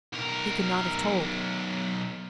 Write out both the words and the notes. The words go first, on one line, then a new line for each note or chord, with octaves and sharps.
He could not have told.
B1 A#4